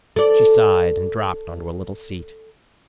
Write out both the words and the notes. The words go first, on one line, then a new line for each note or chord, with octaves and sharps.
She sighed and dropped onto a little seat.
A4 D5